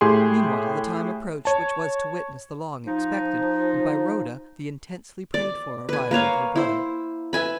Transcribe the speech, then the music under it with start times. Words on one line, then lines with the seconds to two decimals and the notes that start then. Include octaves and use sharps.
Meanwhile the time approached which was to witness the long expected, and, by Rhoda, the intensely prayed for arrival of her brother.
0.01 A2 G4 G#4 G5 C6
1.45 C#5 A5
2.87 F3 D#4
5.34 D5
5.89 B4 G#5
6.11 A#3 B4 C#5 F5
6.56 E4 C5
7.33 B4 E5 G#5 B5